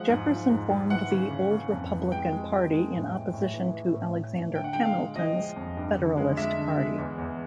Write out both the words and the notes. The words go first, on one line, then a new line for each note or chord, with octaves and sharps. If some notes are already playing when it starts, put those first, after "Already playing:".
Jefferson formed the Old Republican party in opposition to Alexander Hamilton's Federalist party.
Already playing: F3 G#3 F#5
G#2
F3
G#2
G#2
E3 F#5
C#3
C#3
C#3
F2
E3
G#3 G5
G#3
G#3
G#3
A2
G#3
A2
E3
E3
A2
A2
A2
D3 G5
F#5
G#3 G5
F5
G#3
F3 D#5
G#3
F2
G2
D3
G#3
G#3 E5
D3
G#3
E2
E2